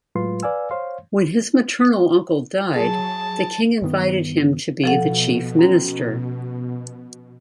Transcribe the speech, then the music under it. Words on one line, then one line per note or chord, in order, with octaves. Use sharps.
When his maternal uncle died, the king invited him to be the chief minister.
A2 F#3 G#3 F4 B4 C6
B4 D5 F5 G#5 E6
C5 C#5 F5 C6
F#3 G#4 A5
G2 D#3 B3
B2 F3 A4 F#5
C#4 F#4 A#5